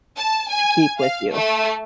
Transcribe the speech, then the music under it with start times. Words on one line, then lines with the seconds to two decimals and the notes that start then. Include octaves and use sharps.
to keep with you.
0.17 A5
0.49 G#5
0.98 F5
1.32 A3